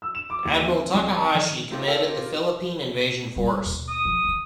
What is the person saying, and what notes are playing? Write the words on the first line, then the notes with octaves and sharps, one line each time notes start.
Admiral Takahashi commanded the Philippine Invasion Force.
E6
E7
D6
D#2
C4
C2
A5
D#3
A3 C4 D#4 F4 G4
C4 A4 A#4 C#5 F5 G5
F4 G4 A#4
G3
D#2 B2
D#6
F3
E3